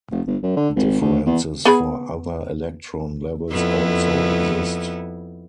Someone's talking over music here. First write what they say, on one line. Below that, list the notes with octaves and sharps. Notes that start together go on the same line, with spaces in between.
Differences for other electron levels also exist.
F1
G1
F#2
D3
G#1
D2
E2
B3 G#4 B5
F2 B3 E4